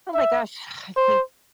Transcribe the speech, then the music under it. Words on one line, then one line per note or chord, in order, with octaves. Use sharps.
Oh my gosh, I think
E5
C5